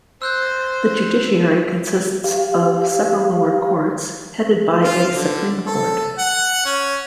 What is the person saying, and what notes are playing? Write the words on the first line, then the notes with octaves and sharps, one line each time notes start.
The judiciary consists of several lower courts headed by a Supreme Court.
C5 E6 F#6 G6
G4 F5
F4
D3
A4
F#5
C#4